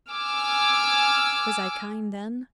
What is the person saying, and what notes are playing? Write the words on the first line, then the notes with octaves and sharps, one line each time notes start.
Was I kind then?
G#5 D6 E6 F6